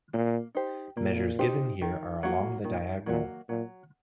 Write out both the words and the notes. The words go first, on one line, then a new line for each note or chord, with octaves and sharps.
Measures given here are along the diagonal.
A#2 A#3
D#4 G4 C5
A#2 A#3
D#4 G4 C5
D#3
F#3 A#3 F#4
A#2 D#3
A#2 F#3 A#3 F#4
A#2 F#3